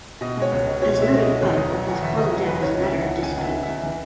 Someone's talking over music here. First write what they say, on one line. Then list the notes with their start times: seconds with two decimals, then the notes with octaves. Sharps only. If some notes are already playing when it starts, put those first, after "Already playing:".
As noted above, his cause of death is a matter of dispute.
0.21 B2 D#5
0.37 G#3 C#5
0.52 C#2
0.67 B2
0.82 B2 C#5
0.97 G#3 E5
1.12 B2
1.22 G#3 D#5
1.41 E2 C#5
1.57 E1 D#5
1.72 F#3
1.87 E2 F#5
2.02 E2 E5
2.17 E1 D#5
2.32 F#3
2.47 E2 B4
2.62 C#2 C#5
2.78 C#3
2.83 E5
2.93 C#2
3.02 F#5
3.07 C#2
3.23 C#2 G#5
3.37 C#2 F#5
3.44 E5
3.53 C#3
3.63 E5
3.69 C#2
3.83 E3